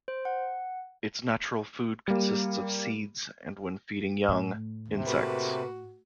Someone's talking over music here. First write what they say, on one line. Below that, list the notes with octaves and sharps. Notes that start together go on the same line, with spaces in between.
Its natural food consists of seeds and when feeding young, insects.
C5
F#5
G3 A#3
A2
D#2 C3
A3 A#3 F#4 B4